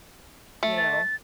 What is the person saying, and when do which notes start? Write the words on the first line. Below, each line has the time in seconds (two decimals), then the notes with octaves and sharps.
you know?
0.63 A3
0.77 A6